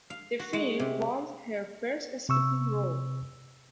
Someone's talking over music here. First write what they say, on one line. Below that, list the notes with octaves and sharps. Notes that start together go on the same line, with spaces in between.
The film was her first speaking role.
F5
F#4
G#3
C3
C3 C#6 E6